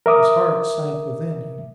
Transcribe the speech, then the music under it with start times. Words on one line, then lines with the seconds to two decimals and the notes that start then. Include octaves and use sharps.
His heart sank within him.
0.06 A#4 E5 D6 D#6